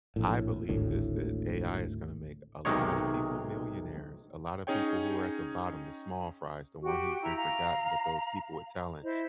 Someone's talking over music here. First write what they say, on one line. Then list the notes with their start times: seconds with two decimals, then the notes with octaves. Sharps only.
I believe this, that AI is gonna make a lotta people millionaires, a lotta people who are at the bottom, the small fries, the one who've been forgotten, but those people with talent
0.16 A#1 A2
0.69 G#1 D2 A2
2.65 B1 C3 D#3 G#3 C#5
4.67 C#4 D#4 G#4 C#5 G5
6.83 F#4 G4 F#5 G5
7.22 E4 A#5 E6 G6
7.35 F5 A#5
9.02 E4 C5 D#5